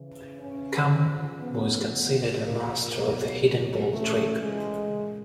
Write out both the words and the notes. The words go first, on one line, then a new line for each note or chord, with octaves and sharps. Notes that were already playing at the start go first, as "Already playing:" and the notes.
Kamm was considered a master of the hidden ball trick.
Already playing: C#3 E3
C#4
C#3 F3
B3
C3 F3 B3
A#3
B2 F#3
C#3 E3 A3
G#3
A#2